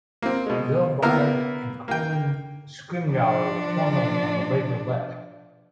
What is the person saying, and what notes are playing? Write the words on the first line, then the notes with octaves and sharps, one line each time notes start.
Bill Barnard and Colin Scrimgeour were formerly on the Labour left.
A#3 C4
B2 G#3
A#3 B3 E4 A#5 F6
A#3 G5
F3 D4